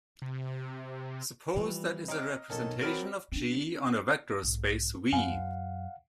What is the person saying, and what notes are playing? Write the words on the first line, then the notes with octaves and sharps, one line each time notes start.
Suppose that is a representation of "G" on a vector space "V".
C3
E3 F3 G3
C3 C#4 D#5 A#5 D6 F6
B1 D#3 C#4 A4 A5
F#3 C4 A#4 D5 B5 F6 A#6 D7
C4 D4
B1 G#2
F#2 F5 F#5 G#5